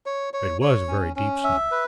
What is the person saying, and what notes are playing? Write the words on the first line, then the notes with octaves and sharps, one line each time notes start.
It was a very deep snow.
C#5
C#5
C#5
C#4
C#4
E5
B4